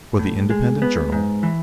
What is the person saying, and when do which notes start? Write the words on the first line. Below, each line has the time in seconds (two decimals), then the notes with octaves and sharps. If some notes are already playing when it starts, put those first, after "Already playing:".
For the Independent Journal.
0.19 A2
0.50 G#3
0.82 B3
1.12 G#2
1.43 E3